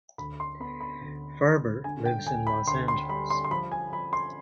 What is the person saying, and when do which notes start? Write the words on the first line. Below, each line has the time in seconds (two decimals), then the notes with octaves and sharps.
Farber lives in Los Angeles.
0.18 D2 B5
0.40 C6
0.60 B3 B5
0.81 B5
1.01 D2
1.43 D3
1.84 D3 G#5
2.06 G5
2.26 D2 G#5
2.47 B5
2.68 D2 C6
2.88 C6
3.09 G3 B5
3.30 C6
3.44 C6
3.51 F3 B5
3.72 G#5
3.92 F3 B5
4.13 C6